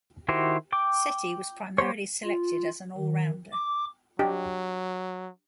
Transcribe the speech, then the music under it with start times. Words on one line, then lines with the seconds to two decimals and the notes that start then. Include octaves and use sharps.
Sethi was primarily selected as an all rounder.
0.28 D#3 E4 F#4 G4 C5
0.72 G5 D6
1.78 G3 G4 C5 C#5
2.25 F4
2.98 D#3
3.52 D6
4.19 F#3 D4 G4 D#5